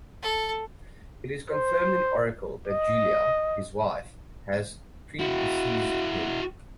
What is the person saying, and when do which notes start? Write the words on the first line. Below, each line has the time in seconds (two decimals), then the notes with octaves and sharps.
It is confirmed in "Oracle" that Julia, his wife, has predeceased him.
0.22 A4
1.50 C5
2.68 D#5
5.19 E4 F#4